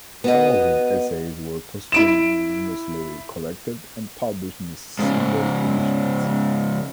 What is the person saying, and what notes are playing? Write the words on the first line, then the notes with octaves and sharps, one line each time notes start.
Some of his essays were posthumously collected and published in single editions.
B3 F#4 D#5
E4 D7 E7
G#2 C#3